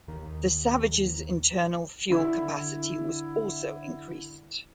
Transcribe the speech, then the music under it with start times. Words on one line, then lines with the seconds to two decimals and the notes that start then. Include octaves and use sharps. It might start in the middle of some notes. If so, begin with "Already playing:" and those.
The Savage's internal fuel capacity was also increased.
0.08 D#2 D#3
2.10 D3 E4